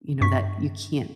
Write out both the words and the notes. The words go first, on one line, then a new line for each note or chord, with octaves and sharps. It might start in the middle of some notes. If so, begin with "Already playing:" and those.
you know, that you can't
G2 C#6 B6